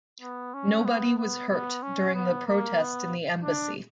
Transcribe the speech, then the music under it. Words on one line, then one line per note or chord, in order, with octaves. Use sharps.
Nobody was hurt during the protests in the embassy.
B3
C#4
B3
B3
B3
C#4
B3
A#3
B3
D4